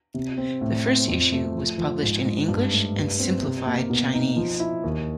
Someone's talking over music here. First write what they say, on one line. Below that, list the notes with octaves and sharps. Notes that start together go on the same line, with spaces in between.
The first issue was published in English and Simplified Chinese.
C3
C4
A2
C4
F2
A3
F3
F3
G#2
G#2
G2
A3
G2
C4
C3
A#3
B2
D#4
F3
E4
D#2